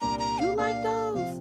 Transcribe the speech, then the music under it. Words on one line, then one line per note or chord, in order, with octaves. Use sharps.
You like those?
C2 A#2 G3 D4 A#5
A#5
F5
A#2 A#3 D4 G4 F5
C3 F3 C4 F5